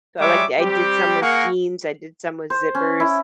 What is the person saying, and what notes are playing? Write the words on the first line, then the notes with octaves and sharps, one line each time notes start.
So, I like I did some with jeans, I did some with zippers.
G3 G#3 C#5 E5 D6
G3 C4 G4
A#3 G#4 A#4 F#5 C#6
C5
C#4
E4